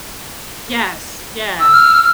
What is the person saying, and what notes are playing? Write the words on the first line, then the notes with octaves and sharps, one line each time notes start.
Yes, yeah.
E6
F6